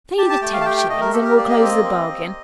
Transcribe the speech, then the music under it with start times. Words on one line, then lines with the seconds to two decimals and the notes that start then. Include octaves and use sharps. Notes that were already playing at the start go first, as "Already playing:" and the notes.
Say the ten shillings, and we'll close the bargain.
0.18 G4 A5
0.30 A5
0.42 A3 G5
0.54 F5
0.61 A5
0.65 G4 G5
0.77 G5
0.89 A3 D#5
1.01 A#4
1.13 G4 A4
1.24 A#4
1.37 A#3 D5
1.49 D#5
1.56 D5
1.61 C4 D#5
1.84 C4
2.09 C4